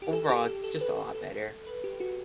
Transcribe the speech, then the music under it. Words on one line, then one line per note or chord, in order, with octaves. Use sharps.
Overall, it's just a lot better,
G4
A4
G4
A4
A4
A4
B4
A4
A4
B4
G4
F#4